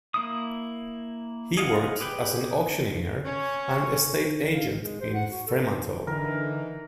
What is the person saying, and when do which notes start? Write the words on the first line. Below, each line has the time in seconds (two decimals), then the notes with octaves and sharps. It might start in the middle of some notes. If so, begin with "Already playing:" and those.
He worked as an auctioneer and estate agent in Fremantle.
0.14 A#3 E4 D#6
1.57 G#4 D#5 F5 F#5
2.01 G4 G#4 B4 G5 B5
3.25 C#4 C#5
4.53 F5
4.68 D#3
4.82 G#3
5.01 C5
5.14 F#5
5.30 F#4
5.47 A4
6.07 D3 E3 D#4 A#4